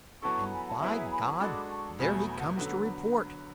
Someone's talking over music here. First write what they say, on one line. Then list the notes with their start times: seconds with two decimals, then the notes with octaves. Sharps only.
"And by God, there he comes to report!"
0.22 F#3 B3 E4 A4 A5 C#6
0.51 G#5 B5
0.66 F#5 A5
0.80 F#3 B3 E4 G#4 E5 G#5
0.95 E5 G#5
1.10 G#5 B5
1.25 A5 C#6
1.39 G#3 D4 F#4 A4 B5 D6
1.69 A5 C#6
1.99 E2 B2 F#3 A3 G#5 B5
2.13 G#5 B5
2.29 G#5 B5
2.39 F#5 A5
2.48 B4
2.58 D3 F#3 B3 A4